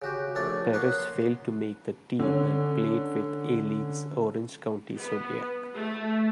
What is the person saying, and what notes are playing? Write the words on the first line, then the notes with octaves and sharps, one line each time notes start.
Perez failed to make the team and played with A-League's Orange County Zodiac.
C#3 F#4 G4
A#1 A3 D4 C#5 D5
A#3 B3 B4 C#5 F5 F#5
C6
D3 C#4
B3
A3